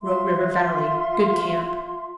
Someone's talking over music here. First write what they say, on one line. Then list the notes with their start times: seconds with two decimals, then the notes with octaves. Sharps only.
Rogue River Valley.--Good camp.
0.02 F4 E5 C6